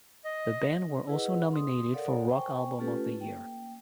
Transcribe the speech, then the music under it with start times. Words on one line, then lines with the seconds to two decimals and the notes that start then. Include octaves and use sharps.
The band were also nominated for Rock Album of the Year.
0.25 D#5
1.07 E4 G#4 B4 D#5 F#5
1.53 C6 D#6
1.94 A4 A#4 C#5 D5 F5 F#5
2.31 C5 G5 G#5 C#6
2.78 A3 C#4 F4 G4 A4 B4
3.20 A#3 G5